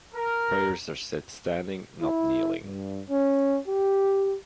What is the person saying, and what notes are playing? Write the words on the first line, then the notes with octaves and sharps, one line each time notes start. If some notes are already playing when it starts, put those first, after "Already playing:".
Prayers are said standing, not kneeling.
A#4
E4
G2
C#4
G4